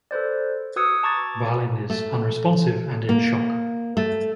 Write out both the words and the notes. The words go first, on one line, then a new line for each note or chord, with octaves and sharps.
Valin is unresponsive and in shock.
A4 B4 C5 D5
F#4 B4 D#6 E6 G#6 C#7
A5 A#5 C#6 D6 G#6 A6
A3
A#3
A3